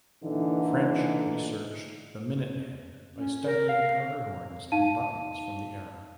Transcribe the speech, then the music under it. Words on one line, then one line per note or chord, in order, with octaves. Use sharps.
French researched "The Minute Man" by studying powder horns and buttons from the era.
A#2 D3 E3 D#4
C#4
A#4
F5
D#4 F5 A5 D#7